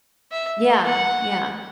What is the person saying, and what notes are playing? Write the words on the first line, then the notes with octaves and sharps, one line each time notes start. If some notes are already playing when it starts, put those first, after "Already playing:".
Yeah, yeah.
E5
F#5